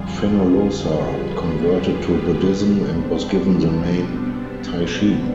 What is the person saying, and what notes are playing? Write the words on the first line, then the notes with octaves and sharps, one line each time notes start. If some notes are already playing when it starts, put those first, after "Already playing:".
Fenollosa converted to Buddhism and was given the name Teishin.
Already playing: F2 D3 G3 F4 G#4
B4
G#4
G4
F4
B2 G3 D4
C4
B3
C4
B3
C4
D4